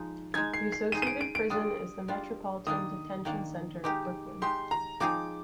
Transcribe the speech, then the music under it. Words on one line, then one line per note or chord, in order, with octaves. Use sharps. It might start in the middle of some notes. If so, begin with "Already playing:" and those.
The associated prison is the Metropolitan Detention Center, Brooklyn.
Already playing: F3 G#3 D#4
G#3 D#4 G#4 G#6
C7
C7
G#3 D#4 G#4 D#7
D#7
D7
D7
D7
G3 D4 F4 D#6
G3 D4 F4
D#3 A#3 D4 D#6
D#3 A#3 D4
G#3 D#4 G4 D6
G#3 D#4 G4 C6
A#5
F3 C4 D#4 G#4 D6